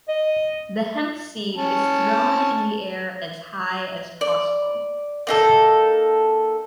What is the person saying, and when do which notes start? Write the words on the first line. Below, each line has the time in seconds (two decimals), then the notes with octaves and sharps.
The hempseed is thrown in the air as high as possible.
0.09 D#5
1.57 C#4 A5
4.21 D5
5.27 A#3 D#4 A4